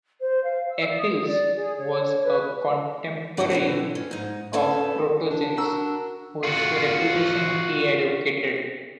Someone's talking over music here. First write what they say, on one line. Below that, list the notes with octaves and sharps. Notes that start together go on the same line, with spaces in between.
Apelles was a contemporary of Protogenes, whose reputation he advocated.
C5
F5
E6
D5
D#6
D5
G#4
C#5
B4
E3 F3 C#4 G4 D5 D#5
B2 D3 E3 C4
C#4
G#2 D#4
C#3 C#4 A4 B4 G#5
D4
F#4 A#4 E6
F4 F#4